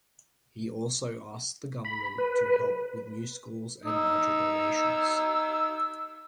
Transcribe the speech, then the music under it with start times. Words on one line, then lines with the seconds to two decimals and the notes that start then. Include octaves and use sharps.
He also asked the government to help with new schools and larger donations.
1.85 B5
2.18 B4
3.85 D#4 E6